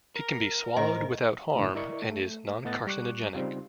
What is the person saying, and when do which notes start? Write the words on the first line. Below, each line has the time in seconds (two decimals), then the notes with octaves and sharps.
It can be swallowed without harm and is noncarcinogenic.
0.16 A#4
0.77 A2 C5 D#5 A#5
1.55 A2 D3
1.75 E4 A#4 D5 D#5 C#6
2.02 A3
2.65 A2 A3 B3 D#5 F#5 A6
2.87 G3 C#6 D6 F#6
3.35 C#3 G3 C4 D#4 F4 C6